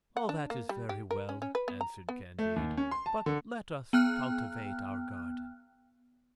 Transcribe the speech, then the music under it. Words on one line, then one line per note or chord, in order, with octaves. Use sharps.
"All that is very well," answered Candide, "but let us cultivate our garden."
F#5
D4
A#3
G3
G4
A#4
C#4
C#4
B4
B3
A#5
B3
A3
D#2
C#4
C6
A5
D3
B3 G5 F6 F#6